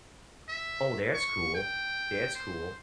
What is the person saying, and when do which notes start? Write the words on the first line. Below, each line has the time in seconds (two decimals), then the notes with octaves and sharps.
Oh, that's cool that's cool.
0.49 E5
1.15 C#6
1.55 G5
2.35 C5